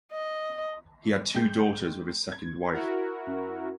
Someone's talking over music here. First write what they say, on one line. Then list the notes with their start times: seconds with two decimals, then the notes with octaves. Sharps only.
He had two daughters with his second wife.
0.12 D#5
1.34 G#3 G5 G6
2.32 G#6
2.71 E4 F#4 A#4
3.27 F#2